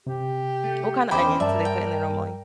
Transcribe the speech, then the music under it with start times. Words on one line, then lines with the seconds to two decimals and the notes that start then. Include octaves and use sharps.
What kinda onions do they put in there normally?
0.07 C3 G4
0.64 A3
1.11 E2 C#4 D4 C5 D#5 G5 B5 D6
1.40 G2 A#4 D5 E5 A5
1.65 G5